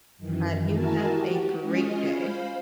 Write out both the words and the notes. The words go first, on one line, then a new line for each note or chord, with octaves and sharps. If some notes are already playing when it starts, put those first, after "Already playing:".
Right. You have a great day.
F#2 D#3 E3
E4 F#4 A#4 G#5 A5
F#4 G4
G#3 C#4 F4 D#5 G#5
C5 F5 B5